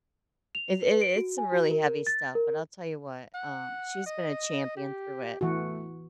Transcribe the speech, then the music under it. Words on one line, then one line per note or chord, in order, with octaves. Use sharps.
It i it's some really heavy stuff, but I'll tell you what, um, she's been a champion through it.
F7
B4
D7
F#4
G#5
F#4
A#4
A6
A#4
F#5
D#5
G4
E3 A3 F#4